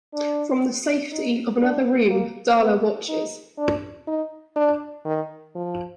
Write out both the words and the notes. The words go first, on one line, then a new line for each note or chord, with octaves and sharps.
From the safety of another room, Darla watches.
D4
D#4
D4
A#3
B3
D#4
D4
D#4
D4
D#3
F3